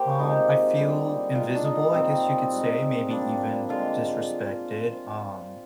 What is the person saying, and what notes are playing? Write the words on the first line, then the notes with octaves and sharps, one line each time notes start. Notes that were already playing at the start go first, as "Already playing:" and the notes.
Um, I feel invisible, I guess you could say, maybe even disrespected, um
Already playing: A#3 G4 A#4 C5
C3 F3 G#3 D#4
D3 G3 A#3
A#2 G#3 F4
D4
D#4
A#2 G3 A#3 C4
A#2 G#3
A#2 G3 A#3 D4
D3 G#3 F4